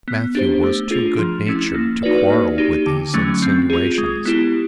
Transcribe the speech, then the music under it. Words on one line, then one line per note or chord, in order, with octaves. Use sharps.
Matthew was too good natured to quarrel with these insinuations.
B3
D4 G4 C5
A3
D4 F4 G#4
F3
A3 C#4 E4
A#3
D#4 F#4 B4 D5
A#3
D#4 G4
D3
F#3 A3 C#4
C4
F4 G#4
G#3
B3 E4 G4